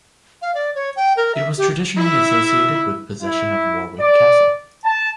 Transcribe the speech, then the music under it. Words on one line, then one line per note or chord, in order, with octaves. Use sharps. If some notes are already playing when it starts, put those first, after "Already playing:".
It was traditionally associated with possession of Warwick Castle.
F5
D5
C#5
G5
A#4
E5
G4
E4 E5
E4
D5
A5